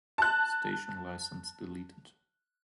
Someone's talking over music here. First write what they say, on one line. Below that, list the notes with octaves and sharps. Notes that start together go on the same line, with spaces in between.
Station license deleted.
A5 F#6